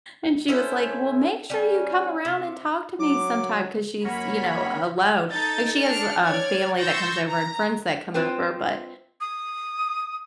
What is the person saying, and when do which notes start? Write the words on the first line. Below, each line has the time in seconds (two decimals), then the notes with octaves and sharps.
and she was like, "Well, make sure you come around and talk to me sometime" 'cause she's, you know, a alone, like, she has, um, family that comes over and friends that come over, but
0.48 A3 C#4 E4 C5
1.50 G3 C#4
2.25 C3
2.99 F#3 D6
4.05 F#2 A#3 C#4 C#5 F#5 B5
5.31 D#4 A4 G6 A6
5.83 D4 D5 F6 C#7
6.24 C#5 D5 F6 G#6
6.78 C6 C#6 E6 G6 A6 A#6
7.27 A#5
8.14 C4 F4 B4 C5 G5
9.21 D#6